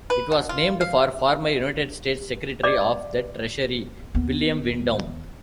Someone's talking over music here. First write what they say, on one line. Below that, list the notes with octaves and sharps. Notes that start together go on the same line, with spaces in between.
It was named for former United States Secretary of the Treasury, William Windom.
B4
B2
F4
F5
D5 D#5 D6
D#2 B3